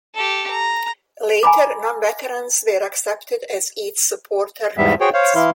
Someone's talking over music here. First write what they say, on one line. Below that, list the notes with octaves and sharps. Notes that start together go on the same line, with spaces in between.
Later non-veterans were accepted as its supporter-members.
G4 A4
A#5
G#5 A#5 B5 D6
E2 G#2 G3 B3 E5
F#4 G#4 C5 C#5 G5
C5 C#5 F5
E3 E4 F5 C6